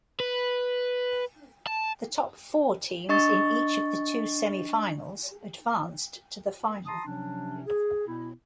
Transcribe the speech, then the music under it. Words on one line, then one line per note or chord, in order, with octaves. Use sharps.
The top four teams in each of the two semifinals advanced to the final.
B4
A5
D4 D#5 C#6 A6
A5 A#5 C6 D#6
C3 F3 F#3 C#4 D4
G#4
B2 B3 E4